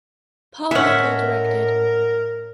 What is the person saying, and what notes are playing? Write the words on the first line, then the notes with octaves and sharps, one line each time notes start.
Paul Nickell directed.
A2 G#3 C#4 A#4 E5 F#5